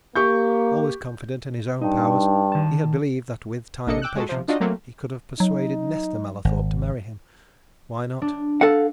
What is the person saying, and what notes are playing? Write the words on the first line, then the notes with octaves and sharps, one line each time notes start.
Always confident in his own powers, he had believed that with time and patience he could have persuaded Nesta Mallathorpe to marry him--why not?
A#3 G4 C#6 G6
G2 D#4
D#3 A5
A1 A#3 D4 A4 D#5 C#7
G5 D6 E6 F#6
G#3 F#4 A4
C3 F3
D4 D#4 F4 F#4 D5 D#5
F#3 A3 A#3 C4
F#3 D#4
G#1
D4
A4 F5 F#5